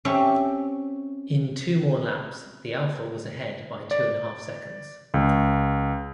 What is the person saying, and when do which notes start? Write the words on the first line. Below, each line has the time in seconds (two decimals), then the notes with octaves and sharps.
In two more laps, the Alfa was ahead by two and a half seconds.
0.05 C4 C#4 G4 E5
3.91 D5
5.14 C#2